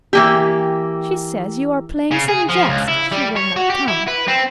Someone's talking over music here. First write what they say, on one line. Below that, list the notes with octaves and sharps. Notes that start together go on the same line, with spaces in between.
"She says you are playing some jest, she will not come."
E3 A#3 G4
C#3
G#4
F3
C#2
E4
G3
C#5
F#4
G4
E4
B4
C4